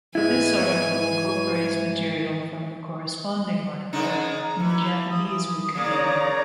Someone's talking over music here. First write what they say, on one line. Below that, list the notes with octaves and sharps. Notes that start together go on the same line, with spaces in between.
This article incorporates material from the corresponding article in the Japanese Wikipedia.
G#2 E3 G#3 E4 G#5
C#3 D4 D#4 A#5
E3
D#6
C#3 A#3 D5 A#5